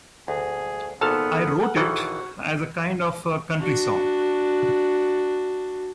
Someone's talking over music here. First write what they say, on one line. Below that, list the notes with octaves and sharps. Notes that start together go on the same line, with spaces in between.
I wrote it as a kind of a country song.
D2 G#4
G#1 A#2 B3 A4 A5 F6
F#5
A#1 D#3 E3 F#4
D4 F#4